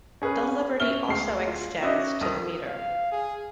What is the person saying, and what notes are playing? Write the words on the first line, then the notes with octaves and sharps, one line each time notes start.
This liberty also extends to the metre.
C#4 G#4 A#4 B4
C#4 E5 F6 G7
D2 G#3 C7
F4
C#4 D#4 E4 F#4 D5 D#5
C2 D#3 A4 D#6
F5
G#4